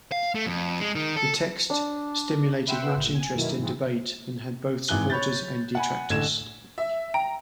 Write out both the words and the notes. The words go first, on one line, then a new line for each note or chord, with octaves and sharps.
The text stimulated much interest and debate, and had both supporters and detractors.
F5
A3
F2
G#3
D#3
A4
D4
B4 E5 F#5 G5 C6 E6
G1 A#2
G#5
F#2 B2 D#3 A#3 E4
G#2 E3 B3 C4
G#1 G#2 E3 G#5 F#6 G7
C#5 B5 G6 A6
F#5 G#5 B5
A1 D3 G#6 E7
E5
G5 A#5